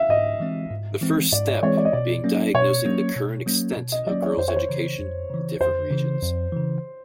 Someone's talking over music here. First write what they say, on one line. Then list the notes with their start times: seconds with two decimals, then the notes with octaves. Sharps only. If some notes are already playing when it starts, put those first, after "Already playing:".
The first step being diagnosing the current extent of girls' education in different regions.
Already playing: E5 F5
0.09 G#2 D#5
0.40 E3 G#3 C4
0.70 G#2
1.01 E3 G#3 C4
1.32 G#2 D5
1.48 C#5
1.62 E3 G#3 C4 C#5
1.78 D5
1.85 D#5
1.93 B2 D5
2.24 F#3 A#3 C#4
2.54 B2 C#5
2.86 F#3 A#3 C#4
3.16 B2
3.46 F#3 A#3 C#4
3.77 B2
3.92 D#5
4.07 F#3 A#3 C#4 D5
4.22 C#5
4.38 F2 C5
4.48 C#5
4.56 C5
4.69 C#3 E3
4.99 F2
5.30 C#3 E3
5.60 F2 C5
5.91 C#3 E3
6.22 F2
6.52 C#3 E3